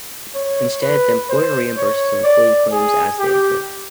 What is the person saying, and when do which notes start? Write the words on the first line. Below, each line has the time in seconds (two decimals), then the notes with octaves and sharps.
Instead, the employer reimburses employee claims as they occur.
0.35 C#5
0.82 B4
1.30 C5
1.77 C#5
2.24 D5
2.72 G#4
3.19 G4